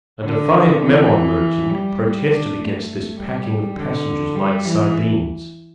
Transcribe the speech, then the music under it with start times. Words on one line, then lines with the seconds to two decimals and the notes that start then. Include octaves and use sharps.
A defiant Memon merchant protested against this packing of passengers like sardines.
0.23 D3
0.82 E3
1.70 G3
2.29 D4
2.59 A3
3.17 G3
3.76 D3
4.36 G3
4.65 E3